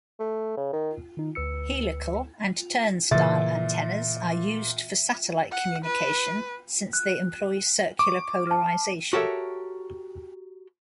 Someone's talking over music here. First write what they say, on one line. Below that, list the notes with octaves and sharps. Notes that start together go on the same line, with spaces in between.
Helical and turnstile antennas are used for satellite communication since they employ circular polarization.
A3
C#3
D#3
D#3 D#4
D2 B4 E6 C#7
A#2 C#3 E3 E5 A6
F#5
B4
F#6
C#6 D6
A5 F6
F#4 G4 A4 A#4 C#5 E5